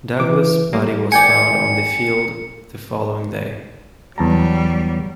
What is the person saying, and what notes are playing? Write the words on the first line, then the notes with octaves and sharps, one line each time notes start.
Douglas' body was found on the field the following day.
E3 D6
G3 A#3
G#1 D5 G5 G#5 C#7
E2 F#3 G3 A5 A#5